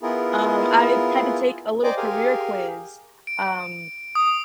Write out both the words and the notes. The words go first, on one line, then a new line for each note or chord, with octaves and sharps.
um, I had to take a little career quiz, um,
B3 E4 F4 G#4 A#4
C5 D5 D#5 G5 G#5 D6
G4 G#4 A#4 F5 G#5
D7
D#6